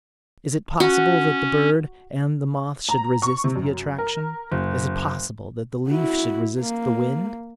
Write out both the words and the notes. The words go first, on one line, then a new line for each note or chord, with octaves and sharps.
Is it possible that the bird and the moth should resist the attraction? Is it possible that the leaf should resist the wind?
C#4 F#4
A#5
C#6
C3
F#2
A#4
F#1
E4 F#4
A#3